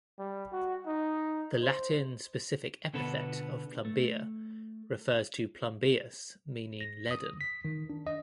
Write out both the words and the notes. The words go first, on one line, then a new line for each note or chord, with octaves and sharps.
The Latin specific epithet of "plumbea" refers to "plumbeus" meaning leaden.
G3
F#4
D#4
C5
B2 D3 B3 A4 B4
A3
A#6
D#6
B6
D#3
D4
D#5